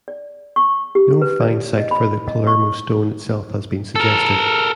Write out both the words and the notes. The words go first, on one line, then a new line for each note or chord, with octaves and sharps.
No find site for the Palermo Stone itself has been suggested.
D5
C#6
G4
B4
D5
D#5
B5
D#5
C#6
A4 A#4